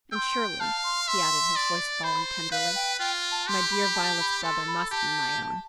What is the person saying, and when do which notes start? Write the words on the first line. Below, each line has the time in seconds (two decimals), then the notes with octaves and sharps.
And surely," he added, his voice falling tenderly, "my dear Violet's brother must be my own.
0.12 G5 C6 E6
0.60 F5 A5
0.84 C6
1.08 E5 C6
1.56 D5
2.04 C5 B5
2.52 B4 F5
2.75 G5
3.00 F4 G5
3.32 A5
3.47 G4 C6
3.71 B5
3.95 A5
4.20 B5
4.43 A4 C6
4.68 B5
4.91 G4 A5